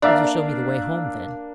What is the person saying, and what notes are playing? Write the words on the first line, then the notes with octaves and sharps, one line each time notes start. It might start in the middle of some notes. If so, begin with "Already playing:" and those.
"Will you show me the way home, then?"
A#3 D4 D5 E5 F5